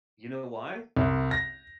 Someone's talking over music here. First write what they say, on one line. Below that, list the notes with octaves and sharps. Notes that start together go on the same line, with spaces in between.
you know why?
C2
A#6